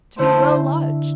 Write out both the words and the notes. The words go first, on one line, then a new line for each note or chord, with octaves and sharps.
To be well lodged!
D3 A3 E4 C5